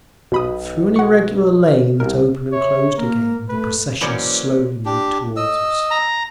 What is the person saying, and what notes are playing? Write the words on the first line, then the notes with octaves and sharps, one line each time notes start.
Through an irregular lane that opened and closed again the procession slowly moved toward us.
B1 B2 B5 D#6
F#5 C#6
C2 A#4
C#5 E5
A#3 A#4
A3 B4
E3 F#3 A#3 C#4 C5 D5
D4 G4
D#5 E6
A#5